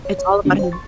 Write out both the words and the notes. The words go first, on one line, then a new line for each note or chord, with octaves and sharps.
It's all about him.
C#5
C#5
D3 G3 A#3 C#4 D4
C5 G5
C6 C#6 A6